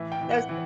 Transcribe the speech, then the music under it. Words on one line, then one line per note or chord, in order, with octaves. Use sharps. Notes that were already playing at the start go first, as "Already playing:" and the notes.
That the
Already playing: A2 E3 E5
G5
E3
F#5
E3